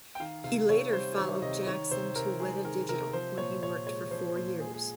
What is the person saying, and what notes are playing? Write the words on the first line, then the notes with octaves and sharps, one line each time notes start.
He later followed Jackson to Weta Digital, where he worked for four years.
G5
D#3 F5
C3 F5
C3 C#5
G3 C5
D#3 C#5
C3 D#5
D#3 C#5
C3 C5
C3 A#4
G#3 G#4
D#3 A#4
C3 A#4
F3 C5
A#2 C#5
A#2 C#5
G#3 C#5
F3 C5
A#2 C5
G#3 G#4
G#4